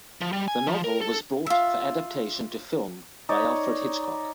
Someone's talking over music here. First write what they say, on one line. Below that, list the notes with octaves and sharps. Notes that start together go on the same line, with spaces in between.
The novel was bought for adaptation to film by Alfred Hitchcock.
F3
G3
G#5
F3
A#4
A4
F4 E5
D#4 C#5 D5